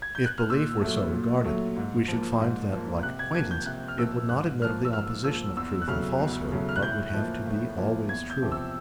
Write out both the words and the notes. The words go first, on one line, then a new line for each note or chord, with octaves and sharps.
If belief were so regarded, we should find that, like acquaintance, it would not admit of the opposition of truth and falsehood, but would have to be always true.
G#6
G6
F#6
F6
A#2 E6
F#3 A3
A#2
F#3 A3
G#2
F3 A#3
G#2
F3 A#3
C3 F#6
G#6
F3 A#3 G#6
G6
C3 F#6
F6
F3 A#3 E6
G#2 F#6
F3 A#3 F6
E6
G#2 F6
F3 A#3 E6
E2 E6
F#6
C#3 F#3 A3 F6
E2
C#3 F#3 A3
F6
F#6
A2 G6
F3 A#3
A2
F3 A#3
E2 G#6
G6
C3 F3
E6